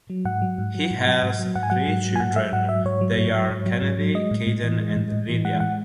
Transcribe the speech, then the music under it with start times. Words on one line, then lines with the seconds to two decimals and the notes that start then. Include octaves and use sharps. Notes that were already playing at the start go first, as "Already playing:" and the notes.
He has three children they are Kennedy, Kaden and Lydia.
0.10 F#3
0.25 G#2 F#5
0.42 F#3
0.58 G#2
0.75 F#3
0.91 G#2
1.07 F#3
1.23 G#2
1.39 F#3
1.55 G#2 F#5
1.63 G#5
1.70 F#3 F#5
1.88 G#2
2.04 F#3
2.16 G#5
2.20 G#2 F#5
2.36 F#3 E5
2.53 G#2 F#5
2.69 F#3 E5
2.85 G#2 C#5
3.01 F#3
3.18 G#2
3.34 F#3
3.50 G#2
3.66 F#3
3.82 G#2
3.99 F#3
4.14 G#3 D#5
4.31 A2
4.47 A2
4.63 E3
4.80 G#3
4.96 A2
5.12 A2
5.29 E3
5.45 G#3 F#5
5.60 A2 F#5